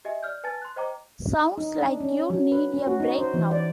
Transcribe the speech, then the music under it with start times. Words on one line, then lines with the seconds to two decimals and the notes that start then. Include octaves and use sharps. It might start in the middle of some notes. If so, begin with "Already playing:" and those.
Sounds like you need a break now!
0.05 G4 D#5 E5 G#5
0.23 D5 F6 G6
0.43 B4 G#5 A5 A6
0.62 C6 F#6
0.76 C5 D#5 G5 A#5 D6
1.58 D#4
1.82 D4
2.00 C#4
2.30 F#3
2.52 B4
2.74 C#4
2.87 F#4
3.00 D#4
3.18 C5
3.34 E3
3.51 D5